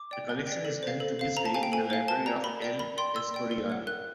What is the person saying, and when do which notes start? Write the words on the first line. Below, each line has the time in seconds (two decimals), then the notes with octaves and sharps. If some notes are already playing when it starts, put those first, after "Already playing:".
The collection is held to this day in the library of El Escorial.
Already playing: D6
0.11 D5 G5
0.29 A#4
0.47 D5 G5
0.65 A4
0.83 C5 F5
1.00 A4
1.19 C5 F5
1.37 A4 A#5
1.45 A5
1.54 C5 F5 G#5
1.63 G5
1.72 A4 G#5
1.90 C5 F5
2.08 A#4 A5
2.26 D5 G5 A#5
2.44 A#4 B5
2.62 D5 G5
2.79 A#4 B5
2.98 D5 G5 C6
3.16 A#4 E6
3.34 D5 G5
3.51 A#4
3.70 C#5 F#5
3.87 A#4 F#6